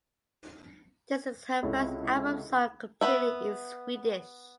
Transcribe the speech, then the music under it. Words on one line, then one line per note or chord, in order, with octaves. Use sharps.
This is her first album sung completely in Swedish.
C#2 C3 E4 A4 C#5
B3 B4 E5